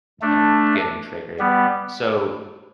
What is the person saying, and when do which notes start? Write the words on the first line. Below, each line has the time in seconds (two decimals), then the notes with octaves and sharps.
him getting triggered so
0.22 A3 D4
1.39 G3 B3